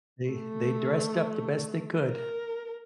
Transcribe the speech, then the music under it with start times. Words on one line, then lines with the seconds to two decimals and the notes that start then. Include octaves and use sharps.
They they dressed up the best they could.
0.30 A3
2.08 A#4